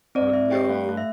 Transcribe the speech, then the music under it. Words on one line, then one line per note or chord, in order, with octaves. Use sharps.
Oh, no.
C4 D5
C4 E5
G4 G5
A3 F5
A3
E5